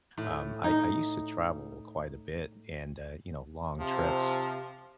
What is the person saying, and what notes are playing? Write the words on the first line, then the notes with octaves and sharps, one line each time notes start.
Um, I I used to travel quite a bit, and, uh, you know, long trips,
A2
D#4
C3 F3